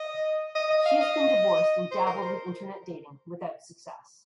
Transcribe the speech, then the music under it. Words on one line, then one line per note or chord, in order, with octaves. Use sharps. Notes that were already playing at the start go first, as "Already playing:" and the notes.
She has been divorced and dabbled with internet dating without success.
Already playing: D#5
D#5
D#5
F5
D#5
C5
A#4
C5